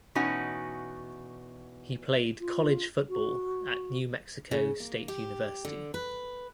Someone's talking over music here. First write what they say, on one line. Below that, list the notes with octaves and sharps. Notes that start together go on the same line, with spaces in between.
He played college football at New Mexico State University.
E2 B2 C#4 D#4 F#4 G#5
F4
F#4
C#3
A#3
G4
D3
B4